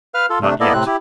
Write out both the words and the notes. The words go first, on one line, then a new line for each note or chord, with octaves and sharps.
Not yet.
B4 F5 F6
F4 A4
C3 A3 D4
A#3 B3 E4 A4 D5 D#5
A2 C3 C4 F#6
E4 G4